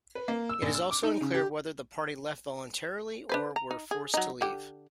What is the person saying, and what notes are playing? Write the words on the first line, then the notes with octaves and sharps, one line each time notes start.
It is also unclear whether the party left voluntarily or were forced to leave.
B4
A#3
E6
A#1
E6
D6
D#4
C#3
G4
D4 B4 C5
A#5
D#4
G#4
F#3 D#4
D3 G4